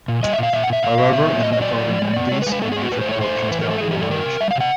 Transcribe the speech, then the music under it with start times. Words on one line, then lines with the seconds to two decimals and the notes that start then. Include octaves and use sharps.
However, in the early nineties a major corruption scandal emerged.
0.08 A#2
0.23 G3 D#5
0.33 E5
0.38 A#2 F5
0.53 A#2 E5
0.63 F#5
0.67 A#2
0.73 E5
0.83 A#2 F5
0.98 A#2
1.13 B3 E5
1.28 F#3
1.43 A#2 D#5
1.53 D#5
1.57 F#3 D5
1.72 A2
1.87 F3
2.02 G#3
2.16 B3
2.32 G#3 C#5
2.42 B4
2.46 G#3
2.52 B4
2.62 B3 A4
2.72 B3 G#4
2.82 F#4
2.92 A2 B4
3.01 C5
3.06 A3
3.11 C#5
3.21 A3 C5
3.36 A2
3.51 E3 B4
3.61 A#4
3.66 A3 A4
3.81 E3 G#4
3.91 A2 G4
4.01 A4
4.11 D#3 A#4
4.26 C3
4.41 G3 E5
4.51 F5
4.55 C3
4.61 F#5